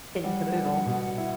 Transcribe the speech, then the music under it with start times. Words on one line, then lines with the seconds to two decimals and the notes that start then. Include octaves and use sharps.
kit and caboodle.
0.24 G3 F#5
0.56 G3
0.86 B2
1.18 E4